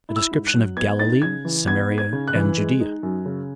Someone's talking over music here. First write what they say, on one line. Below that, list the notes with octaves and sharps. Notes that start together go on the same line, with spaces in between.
A Description Of Galilee, Samaria, And Judea.
E4
E6
G#2
F#6
F#3
B3 G#6
D#4 A6
C#3 G#6
E3
B3 G#6
D#4
G#6
C#3
F#6
E3
G#3
D#4
F#2
C#3